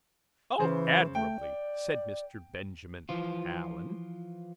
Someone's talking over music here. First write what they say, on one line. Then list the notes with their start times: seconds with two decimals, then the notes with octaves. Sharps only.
'Oh, admirably,' said Mr. Benjamin Allen.
0.59 C#3 E3 C5
1.15 A3 G5
1.40 D5
3.09 E3 F3 F4